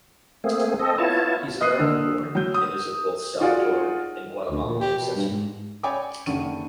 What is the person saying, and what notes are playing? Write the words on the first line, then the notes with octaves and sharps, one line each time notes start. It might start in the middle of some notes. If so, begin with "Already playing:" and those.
He is American born and is of both Salvadoran and Guatemalan ancestry.
A3 A#3 C4 G#4
C4 A4 D#5
B3 E4 F4 C#5 A5
B4 D#5 D#6 F#6 C7
D3 A#3 E6
F#3 G6
D#6
D#4 F4 F#4 G#4 D5 F#5
D2
A#2
G4
B2
G2
G#2
C#5 D5 G5 G#5 B5 D6
F#1 D3 D#3 C#6 D#7